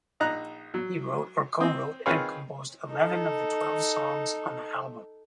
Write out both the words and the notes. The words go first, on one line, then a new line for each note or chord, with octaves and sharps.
He wrote or co-wrote and composed eleven of the twelve songs on the album.
A#1 D#4 A#5 F#6
F#3
C4 D#5
D#3 C4 F4 G#4 B4 C#5
D#4 A4